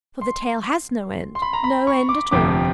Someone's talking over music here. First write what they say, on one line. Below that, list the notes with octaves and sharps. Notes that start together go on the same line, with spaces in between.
For the tale has no end, no end at all.
C6
C6
B5
A#5
B5
C#6
D6
G1 F2 C3 F3 D6